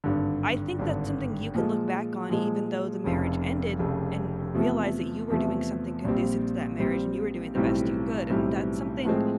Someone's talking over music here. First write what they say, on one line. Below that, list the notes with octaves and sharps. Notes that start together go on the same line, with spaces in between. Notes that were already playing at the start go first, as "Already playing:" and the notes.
I think that's something you can look back on even though the marriage ended, and realize that you were doing something conducive to that marriage and you were doing the best you could, and that's something
G#1 G2 D3
G#1 G2 D3
A#2 F3 G#3
A#2 F3 G#3
F1 F2 C#3
F1 F2 C#3
E2 C3 F3 A3
E2 C3 F3 A3
A#1 A#2 G3 C4
A#1 A#2 G3 C4
B1 A2 E3 G3 C4
B1 A2 E3 G3 C4
A2 F3 G#3 C4